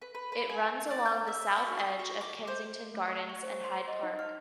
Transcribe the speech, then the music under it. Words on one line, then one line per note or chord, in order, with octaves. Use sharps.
It runs along the south edge of Kensington Gardens and Hyde Park.
B4
B4
B4
G#5
D5
G6
E5
F#4
D#6
F#4
D6
C5
A3
C#6
C#6
C5
C6
D#5
D#4
F6